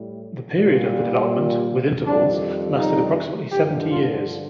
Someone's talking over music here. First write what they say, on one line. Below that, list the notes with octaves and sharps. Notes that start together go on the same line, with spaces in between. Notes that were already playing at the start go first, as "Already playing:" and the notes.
The period of the development, with intervals, lasted approximately seventy years.
Already playing: A2 G3
A#2 G3
F2 D#3 G3 D4
D#4
G2 D3 F3 G4
F4